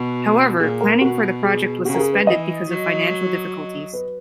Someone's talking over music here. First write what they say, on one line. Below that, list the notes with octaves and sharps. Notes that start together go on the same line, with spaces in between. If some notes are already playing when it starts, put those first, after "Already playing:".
However, planning for the project was suspended because of financial difficulties.
Already playing: B2 F#4
A#2 G#4
A#4
B2 F#4
G#4
C#3 F#4
A#4
G#4
B4
E3 D#5
F#3
B4